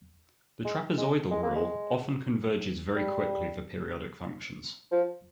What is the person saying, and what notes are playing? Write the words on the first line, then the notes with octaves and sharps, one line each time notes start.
The trapezoidal rule often converges very quickly for periodic functions.
G#3
G#3
G#3
A#3
G#3
G3
F3